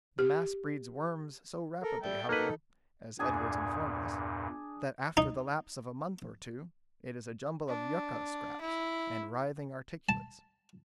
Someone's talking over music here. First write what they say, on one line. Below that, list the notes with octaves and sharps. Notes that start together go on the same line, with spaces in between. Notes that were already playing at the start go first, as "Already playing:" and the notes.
The mass breeds worms so rapidly, however, as Edwards informed us, that after the lapse of a month or two it is a jumble of yuca scraps and writhing articulates.
G4
A4 A#4 A#5
G3 A4 E5 G5
F#3 A#3 D#4 A4 B4 F#5 A#5
E2 G2 A#2 D4 G#4 G#5
D#4
D4
E4
A5